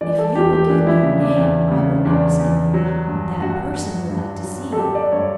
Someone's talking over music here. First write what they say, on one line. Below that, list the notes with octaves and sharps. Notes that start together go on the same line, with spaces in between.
"If you will give me your name, I will ask if--that person would like to see you."
E3 D5
A4
E2 G4
G4
E3 D4
E4
C#3
D4
E2
C#3
E2 D4
E2
F#3
G2
G2 F#4
G2
G2
F#3
A4
F#3 G4
D5
G2 C#5